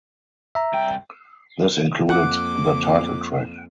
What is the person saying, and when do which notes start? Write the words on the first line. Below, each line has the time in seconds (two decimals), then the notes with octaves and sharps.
This included the title track.
0.55 E5 A#5
0.74 C2 G5
2.10 F2 A#3 F4 F#5 D6